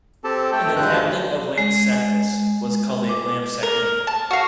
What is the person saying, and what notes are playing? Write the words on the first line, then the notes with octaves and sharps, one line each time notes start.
An inhabitant of Lampsacus was called a Lampsacene.
C4 G4 A4 A5
A3 A4 G5
D2 G2 D3 G#3 F#6 G6
G#3
D6
A#4
A5
F#4 F5